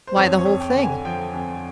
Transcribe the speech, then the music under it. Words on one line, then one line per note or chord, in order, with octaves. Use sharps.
Why, the whole thing!
C5
F2 C#5
C#5
F2
G5
D3
G#5
F3 G5
F2